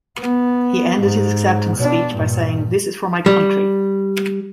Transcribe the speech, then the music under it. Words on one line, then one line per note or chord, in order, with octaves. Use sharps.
He ended his acceptance speech by saying, "This is for my country".
B3
G#2
B2 D4
G2 A#2
G3